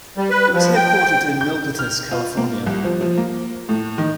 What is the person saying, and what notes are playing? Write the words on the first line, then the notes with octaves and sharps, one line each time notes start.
It was headquartered in Milpitas, California.
G3
B4
F3
G5
G6
F6
F4
A#3
C2
F3
F3
A#3
A2
D#3